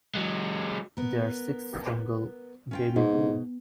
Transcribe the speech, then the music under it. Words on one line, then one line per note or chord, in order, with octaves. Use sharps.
Their sixth single, Baby Blue!
F#3 G#3
B3 A#4
C#4 F4 G5
G#2 B2